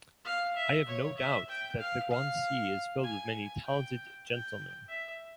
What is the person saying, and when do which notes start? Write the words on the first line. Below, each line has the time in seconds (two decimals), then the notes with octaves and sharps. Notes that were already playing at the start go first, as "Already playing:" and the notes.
I have no doubt that the Guanxi is filled with many talented gentlemen.
0.25 F5
0.56 E5
0.88 C#5
1.18 E5
1.49 G5
1.79 F5
2.11 F5
3.04 G#5
3.65 G5
4.28 G5
4.89 E5